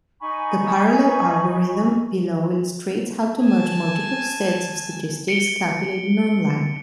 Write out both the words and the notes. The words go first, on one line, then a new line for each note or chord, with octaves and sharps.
The parallel algorithm below illustrates how to merge multiple sets of statistics calculated online.
D#4 G#5 B5 C#6
G#5 A5
C#7 D7 G7